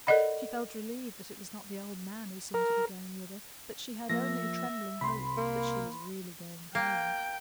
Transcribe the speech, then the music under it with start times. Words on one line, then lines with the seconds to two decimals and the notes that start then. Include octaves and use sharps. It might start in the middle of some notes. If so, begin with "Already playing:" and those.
She felt relieved that it was not the old man who seemed to be going with her, but she had only a trembling hope that she was really going home.
0.07 A4 A#4 D5 D#5 F#5 B5
2.54 A#4
4.09 F3 A#3 E5 A#6
5.01 C2 B5 C6
5.37 A#3
6.75 A#3 G5